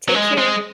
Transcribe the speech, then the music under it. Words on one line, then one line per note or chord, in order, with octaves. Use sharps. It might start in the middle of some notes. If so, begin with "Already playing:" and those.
take care.
F#3
G#3
G#3